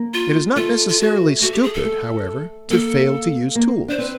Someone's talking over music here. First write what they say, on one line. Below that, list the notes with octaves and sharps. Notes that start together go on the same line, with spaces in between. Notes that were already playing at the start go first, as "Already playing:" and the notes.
It is not necessarily stupid however, to fail to use tools.
Already playing: A#3
F4
A3 F4
F4
F#4
A3 F#4
G4
G#4
A4
A3
A#3 A4
A#3
D4 C5
C4 B4